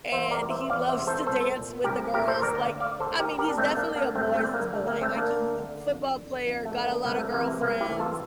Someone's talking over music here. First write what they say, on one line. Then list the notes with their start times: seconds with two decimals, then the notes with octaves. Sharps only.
and he loves to dance with the girls, like, I mean, he's definitely a boy's boy, like, he he football player, got a lotta girlfriends,
0.12 E2 C5 E5
0.30 A#4 D5
0.41 C3 E3
0.49 C5 E5
0.70 E2 D5 F5
0.88 C5 E5
0.98 C3 E3
1.07 A4 C5
1.27 C2 A4 C5
1.56 A#2
1.84 C2 G4 A#4
2.14 A#2 G4 A#4
2.28 A4 C5
2.42 D2 A#4 D5
2.61 D5 F5
2.71 D3
2.80 D5 F5
3.00 D2 A4 C5
3.19 G4 A#4
3.29 D3
3.38 G4 A#4
3.49 D4
3.58 G2 A3 C4
3.77 A#3 D4
3.87 D3
3.96 A#3 D4
4.15 G2 A3 C4
4.35 A3 C4
4.44 D3
4.53 A#3
4.73 D2 A3
4.87 A#3
5.01 D3 A3 C4
5.16 A#3 D4
5.30 D2
5.59 D3
5.89 F2
6.17 D3
6.46 F2
6.65 A3
6.76 D3
6.84 A#3
7.04 C2 A#3
7.18 A3
7.32 C3 E3 A#3
7.48 A3
7.61 C2 A#3
7.80 E4 G4
7.90 C3 E3
8.00 F4 A4